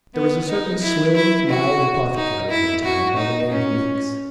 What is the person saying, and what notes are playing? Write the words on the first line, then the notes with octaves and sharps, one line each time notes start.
There was a certain slim, mild apothecary in the town, by the name of Meeks.
B3
D#4
E4
E4
F#4
D#4
E4
F#4
D#4
C#4